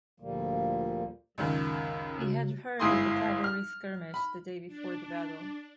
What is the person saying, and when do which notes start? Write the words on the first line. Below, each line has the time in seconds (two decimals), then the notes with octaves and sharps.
He had heard of the cavalry skirmish the day before the battle.
0.20 D2 A#2 D3 F3 G3 A#3
1.38 C#2 F#2 D#3
2.17 C#3 F#4
2.80 G1 G#2 E4 G#4 C6 D#6
3.44 F6
4.14 B5
4.67 D4